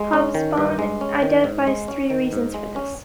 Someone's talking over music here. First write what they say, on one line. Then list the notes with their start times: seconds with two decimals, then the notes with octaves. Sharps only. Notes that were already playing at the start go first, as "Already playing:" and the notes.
Hobsbawm identifies three reasons for this.
Already playing: G#3
0.13 C#4
0.35 D#3
0.57 G2
0.79 G#3
1.01 C#4
1.22 D#3
1.44 G#2
1.67 G#3
1.88 C#4
2.10 D#3
2.33 G#2
2.54 G#3
2.76 C#4